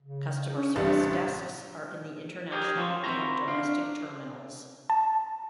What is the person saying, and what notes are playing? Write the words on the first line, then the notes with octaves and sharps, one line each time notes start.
Customer service desks are in the international and domestic terminals.
C#3
C#4
A1 C3 G3 D4
G4 G#4 A#4
F3 F#3 C#4 F4
C4 E4 F#4 C5 E5 A#5
D4 F5
A5